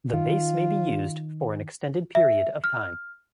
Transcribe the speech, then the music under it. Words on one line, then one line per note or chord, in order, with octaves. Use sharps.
The base may be used for an extended period of time.
D#3 F4
E5
F6